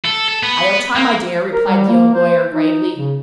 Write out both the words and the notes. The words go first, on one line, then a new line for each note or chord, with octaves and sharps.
"I'll try, my dear," replied the old lawyer, gravely.
A4
A4
B3
A#3
A#4
G3
A#3
C5
D#4
C#3